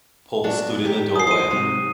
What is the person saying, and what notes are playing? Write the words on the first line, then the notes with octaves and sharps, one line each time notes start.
Paul stood in the doorway.
F#3 B3 D4
D#3 D#4 G4
D#6 C7
F#4 C5 D#6 D#7
G#2 C3 F#3